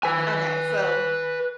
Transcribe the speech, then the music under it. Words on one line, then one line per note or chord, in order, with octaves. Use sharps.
Okay, so
B4 G#5